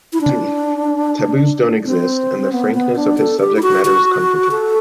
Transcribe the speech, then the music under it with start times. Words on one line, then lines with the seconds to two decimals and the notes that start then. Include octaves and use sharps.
Taboos don't exist, and the frankness of his subject matter is comforting.
0.13 E4
0.21 D4
1.85 C4
2.53 B3
2.75 B3
2.96 D4
3.18 A4
3.40 G4
3.56 E4
3.63 F#4
3.85 F#4
4.51 A4